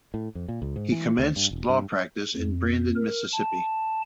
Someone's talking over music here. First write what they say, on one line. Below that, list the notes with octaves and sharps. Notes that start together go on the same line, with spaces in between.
He commenced law practice in Brandon, Mississippi.
A2
F2
A#2
C#2
G#2
E3
D2
G2
E1
G2
F2
A#4
A5